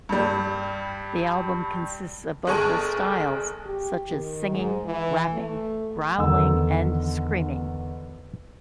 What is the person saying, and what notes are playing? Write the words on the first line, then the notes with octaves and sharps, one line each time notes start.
The album consists of vocal styles such as singing, rapping, growling and screaming.
G2 G3
G1 G#4 A5 C#6 D#7
G4
D#3
G#2
E3
A3
E2 D3 D#3 A4 E6